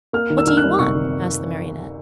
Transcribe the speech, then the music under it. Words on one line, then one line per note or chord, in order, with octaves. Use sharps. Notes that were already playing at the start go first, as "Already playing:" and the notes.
"What do you want?" asked the Marionette.
A#3 F6
D#3
E6
D#3 F6
F#6
G3
C3 C#6
D#3